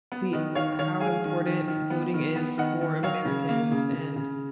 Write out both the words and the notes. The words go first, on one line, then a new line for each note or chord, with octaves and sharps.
the how important voting is for Americans and
B3
D#3 B4 D#5
D#3 C#5 F5
D#3 C#5 F5
G#3 F5 G#5
D#3
D#3
D#3
B3
D#3
B3
D#3 D#5 F#5
D#3
F#3 C#5 F5
C#3
A#3
C#3
C#3
C#3